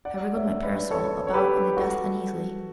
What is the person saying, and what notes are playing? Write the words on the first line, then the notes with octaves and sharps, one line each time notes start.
I wriggled my parasol about in the dust uneasily.
D5 F#5
C#5 E5
B4 D5
A4 C#5
C#5
G4 B4
F#4 A4